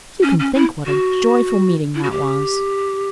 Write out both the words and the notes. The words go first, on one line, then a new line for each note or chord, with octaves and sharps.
You can think what a joyful meeting that was!
C#4
C#4
E4
F#4
E4
F#4
G4